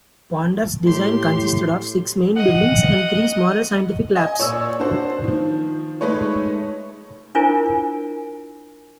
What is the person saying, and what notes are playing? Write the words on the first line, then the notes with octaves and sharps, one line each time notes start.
Ponder's design consisted of six main buildings and three smaller scientific labs.
A2 G4 C6
D#5 F#5
D#5 G#5
A#2 C#5 D5 E6
D4 F#4 C5
D#3 F3
G#3 A3 D#4 B4 C#5
D4 E4 F4 A#4 C5 G#5